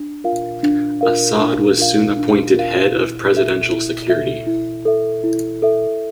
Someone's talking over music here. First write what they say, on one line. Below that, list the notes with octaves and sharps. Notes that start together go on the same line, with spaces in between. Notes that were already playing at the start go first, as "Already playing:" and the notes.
Assad was soon appointed Head of Presidential Security.
Already playing: D4
F4 A#4 F5
D4
F4 A#4 F5
D4
F4 A#4 F5
D4
F4 A#4 F5
E4
A4
E5
E4
A4 E5
E4
A4 E5
E4
A4 E5